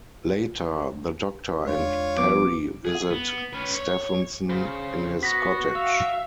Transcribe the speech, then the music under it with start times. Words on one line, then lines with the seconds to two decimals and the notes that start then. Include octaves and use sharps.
Later, the Doctor and Peri visit Stephenson in his cottage.
1.67 E2 G#3 D4 F4 C#5
2.18 F3 B3 D6
2.85 G#4
3.11 B3
3.53 C#4 B4
3.75 C#5
4.50 C#3 C5
5.23 B3 F#4 A#6 B6
5.75 E5 F5